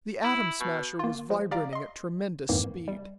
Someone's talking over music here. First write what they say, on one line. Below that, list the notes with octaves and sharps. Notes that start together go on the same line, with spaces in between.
The Atom Smasher was vibrating at tremendous speed.
E4
B2
A#3 F4
F3 G#3
G4 D5 F5 A#5 D6
D#5 C6
F2 G#2 D#3 E3 A#3
G3